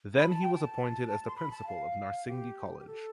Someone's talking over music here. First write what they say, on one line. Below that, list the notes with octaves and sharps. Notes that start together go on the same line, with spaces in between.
Then he was appointed as the principal of Narsingdi College.
B5
A5
G5
A5
C6
B5
A5
F5
G4
G4
A4